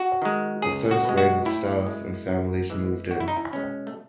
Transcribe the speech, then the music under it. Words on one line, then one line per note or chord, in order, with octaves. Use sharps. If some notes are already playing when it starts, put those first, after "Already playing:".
The first wave of staff and families moved in.
Already playing: F#4
D#3 G#3
C#2 G#4
F#4
B2 G#3
F#4
A2 E4
G#3
F#2
E3 G#3
E2 F#4
E4
D#4
E4
B2 G#3 C#4
A3